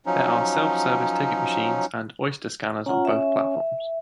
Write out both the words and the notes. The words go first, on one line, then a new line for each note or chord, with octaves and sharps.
There are self-service ticket machines and Oyster scanners on both platforms.
F3 F#3 C#4 D#4
C#4 F4 F#5 A#5
E5